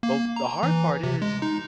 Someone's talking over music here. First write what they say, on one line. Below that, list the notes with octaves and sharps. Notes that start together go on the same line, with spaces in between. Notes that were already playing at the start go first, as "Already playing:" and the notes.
but w the hard part is
A#3
A#5
E3
C3
G#3
D#4